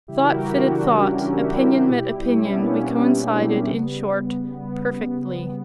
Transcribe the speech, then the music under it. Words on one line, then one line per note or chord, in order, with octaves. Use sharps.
Thought fitted thought; opinion met opinion: we coincided, in short, perfectly.
C#3 E3 G3 E4 G4
F#4 A#4
E4 G4
D4 F#4
C#4 E4
C#4 E4
D4 F#4
E4 G4
B2 G3
C#4 E4
B3 D4
A#3 C#4
A#3 C#4
B3
C#3 G3
B3